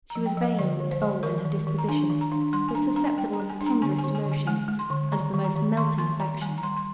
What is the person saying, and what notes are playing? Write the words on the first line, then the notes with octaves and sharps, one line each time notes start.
She was vain and bold in her disposition, but susceptible of the tenderest emotions, and of the most melting affections.
A#5
F3
G5
F3
D#5
D3 D5
D3
C5
G#3
D#3 A#4
D#3
D#3
A#5
D4 G#5
D#3
A#5
D4
G3 C6
G#5
D4 A#5
D4 A#5
G3 G5
A#5
G3
G#5
D4
A#5
D3 G#5
G#5
D3
G#5
D3
G#5
G#3 G#5
G#3
C6
D3
D#3 A#5
D#3
A#5
D#3
D#3 C6
A#3 C6
D#3 A#5
G3 G#5
A#5
G3 C6
C6